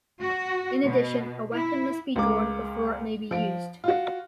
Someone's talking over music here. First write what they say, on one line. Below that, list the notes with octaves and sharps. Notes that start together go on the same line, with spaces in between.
In addition, a weapon must be drawn before it may be used.
F#4
B2
E4
C#2 G#3 A#4 D6
F3 D7
F4 F#4